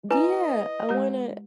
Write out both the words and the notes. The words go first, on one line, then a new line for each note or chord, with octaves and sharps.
Yeah, I wanna
E4 B4 D#5 G#5
G#3 G4 A#5